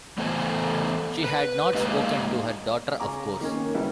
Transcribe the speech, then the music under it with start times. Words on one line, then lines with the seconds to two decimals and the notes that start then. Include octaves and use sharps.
She had not spoken to her daughter, of course.
0.18 E3 A3 B3 A4 C5 G#5
1.24 B4
1.75 G#3 A#3 D#4 G4 D#5 F5
3.00 C#3 C#4 A#5 D6
3.41 D#3 A#3 C#4
3.74 C#3 G3 E4 B4